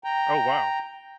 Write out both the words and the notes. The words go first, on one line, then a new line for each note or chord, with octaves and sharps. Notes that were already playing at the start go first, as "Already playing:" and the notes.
Oh, wow.
G5 A#5